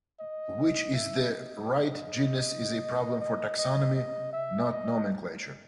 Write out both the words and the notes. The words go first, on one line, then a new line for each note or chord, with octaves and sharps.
Which is the 'right' genus is a problem for taxonomy, not nomenclature.
D#5
E5
D#5
D#5
D#5
D#5
E5
D#5